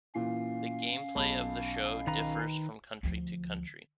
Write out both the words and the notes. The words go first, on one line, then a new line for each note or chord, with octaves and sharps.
The gameplay of the show differs from country to country.
A#2 E3 C#4 F5
B1 A5 B5
D#3 B4 A#5
D2 F3